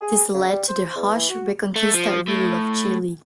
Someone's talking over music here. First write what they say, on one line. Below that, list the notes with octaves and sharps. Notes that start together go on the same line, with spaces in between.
This led to the harsh reconquista rule of Chile.
G#4
C#3
G3
C5
E2
E3
F#4
A3
F3
A2